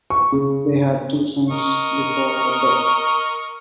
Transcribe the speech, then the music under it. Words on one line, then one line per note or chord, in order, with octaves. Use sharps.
They had two sons before her death.
C#6
C#3
A#4 D#5 C#6